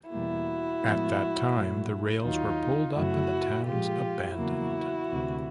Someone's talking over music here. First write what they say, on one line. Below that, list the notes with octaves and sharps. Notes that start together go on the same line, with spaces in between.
At that time, the rails were pulled up and the towns abandoned.
E2 B2 G3 A#3 E4 F#4
A2 F3 G#3 B3
A#2 F#3 A3
D#2 D#3 F#3 D#4 F4
F#2 C#3 F#3 A3 E4 F#4
A#2 F3 G#3 F4 G4
E2 C#3 F#3 A#3 E4 F#4
D2 C3 E3